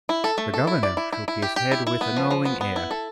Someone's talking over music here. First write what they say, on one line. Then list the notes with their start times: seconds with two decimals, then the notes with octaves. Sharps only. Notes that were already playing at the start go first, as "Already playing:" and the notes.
The governor shook his head with a knowing air.
0.09 E4
0.24 A4
0.38 A3
0.54 A4
0.67 E4
0.83 D5
0.97 E4
1.13 E4
1.28 E4
1.42 G4
1.56 G4
1.71 E4
1.87 E4
2.01 B3
2.16 F3
2.31 F3
2.45 B3
2.61 B3
2.76 E4
2.91 A4